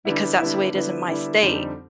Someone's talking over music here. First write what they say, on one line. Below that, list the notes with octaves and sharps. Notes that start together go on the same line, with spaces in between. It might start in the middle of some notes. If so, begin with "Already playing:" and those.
because that's the way it is in my state.
D3 G3 B3 E4
D3 G3 B3 E4
D3 G3 B3 E4
D3 G3 B3 E4
F2 D3 G3 C4 D#4